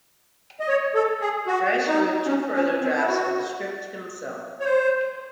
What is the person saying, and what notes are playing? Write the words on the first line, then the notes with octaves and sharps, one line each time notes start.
Gries wrote two further drafts of the script himself.
D#5
C#5
A4
G#4
F#4
D#4
C#4
C#4
C4
E4
F#4
C#5
C5